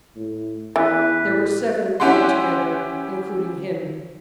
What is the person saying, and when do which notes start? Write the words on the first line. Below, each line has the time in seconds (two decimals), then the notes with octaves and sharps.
There were seven all together, including him.
0.16 A2
0.76 E2 E3 B4
1.24 A2
2.00 C#4 E4 G4 F#5 C6